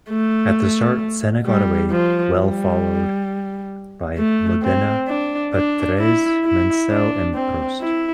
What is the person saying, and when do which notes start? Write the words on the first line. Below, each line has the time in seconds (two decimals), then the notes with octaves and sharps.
At the start, Senna got away well followed by Modena, Patrese, Mansell, and Prost.
0.10 A3
1.46 G3
1.91 F3
2.36 G3
4.18 A3
4.63 C4
5.08 D4
5.54 D4
5.99 E4
6.44 E4
6.89 D4
7.34 C4
7.81 E4